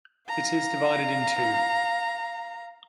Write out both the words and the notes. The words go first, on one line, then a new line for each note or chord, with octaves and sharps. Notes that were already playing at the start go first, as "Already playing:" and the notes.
It is divided in two.
F5 A#5